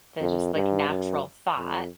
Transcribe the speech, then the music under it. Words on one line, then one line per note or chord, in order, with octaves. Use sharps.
the just, like, natural thought,
F2
G2
F#2
F2